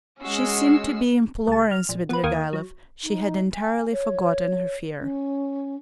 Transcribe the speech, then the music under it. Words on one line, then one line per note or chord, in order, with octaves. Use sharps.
She seemed to be imploring Svidrigailov; she had entirely forgotten her fear.
G#3 C#4 F#4 E6 C7
C#2 A5
F6
A#1
B3 B4
D#2 D#3 A#3 D#6 G#6
F#3
D#4
G#5
C#5
C#4